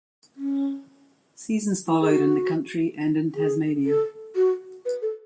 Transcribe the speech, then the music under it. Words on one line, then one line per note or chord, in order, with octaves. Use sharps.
Seasons followed in the country and in Tasmania.
C#4
E4
G#4
F#4
G#4
A4
F#4
B4
A4